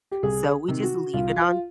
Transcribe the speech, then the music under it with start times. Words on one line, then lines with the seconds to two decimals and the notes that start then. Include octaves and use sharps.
So, we just leave it on
0.11 G4
0.23 C2 G#4
0.68 C3 D#3
0.83 F#4
1.14 C2 F4
1.36 F4